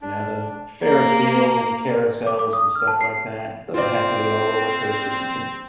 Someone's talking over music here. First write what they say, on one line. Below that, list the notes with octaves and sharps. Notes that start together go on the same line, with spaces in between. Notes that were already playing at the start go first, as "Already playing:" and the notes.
you know, the Ferris wheels and carousels and stuff like that, doesn't have to be all roller coasters, you can
D4
A#3
D6
D6
D#6
F6
A5
C7
C4 F4 C5 D5